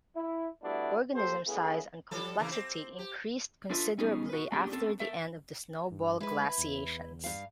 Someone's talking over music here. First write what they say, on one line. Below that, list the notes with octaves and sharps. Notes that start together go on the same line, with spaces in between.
Organism size and complexity increased considerably after the end of the snowball glaciations.
E4
G3 A3 B3 D4 E4 F#4
A#3 G4 A4 C5
C#3 A3 B3 E4 G#4
F3 G3 A4
C#3 E3 A#3
C4
G4
D4 F4 A4 B4 E5
G3 B3 C#4 D#4 F#4 G#4
F#4 B4
A3 A#3 C#4 D4 G4 G#4
C4 C#4 A4
A4 A#4 E5
G2
G#3 E4 B4
E2
G2 F5